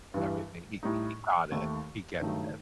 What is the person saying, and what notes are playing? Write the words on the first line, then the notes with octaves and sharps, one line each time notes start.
Everything, he he got it. He gets it.
G2 E3 G3
A2 G3 D#4
D#2 D#3 A3
G2 D#3 F#3 A3 D#4